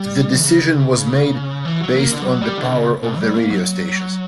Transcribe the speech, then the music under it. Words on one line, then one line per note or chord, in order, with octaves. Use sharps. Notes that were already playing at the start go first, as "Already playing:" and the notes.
The decision was made based on the power of the radio stations.
Already playing: G3
C#3
E3
F#3
A#3
D3
G3
F#3
G3
D3
B2
C#3
B2
G3
A#3
F#3